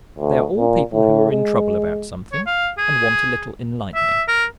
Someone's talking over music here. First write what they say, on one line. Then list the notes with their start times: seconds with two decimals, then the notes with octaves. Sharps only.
They are all people who are in trouble about something, and want a little enlightening.
0.19 D2
0.57 A#2
0.92 A2
1.31 G#3
2.32 C#5
2.46 F5
2.78 G#4
3.95 E5
4.28 A#4